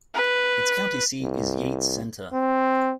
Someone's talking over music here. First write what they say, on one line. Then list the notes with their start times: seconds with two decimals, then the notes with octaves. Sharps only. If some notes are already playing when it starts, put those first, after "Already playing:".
Its county seat is Yates Center.
0.15 B4
1.21 C2
2.33 C4